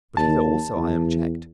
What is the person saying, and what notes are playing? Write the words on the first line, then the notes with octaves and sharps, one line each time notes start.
But here also I am checked.
D#2 A5
E2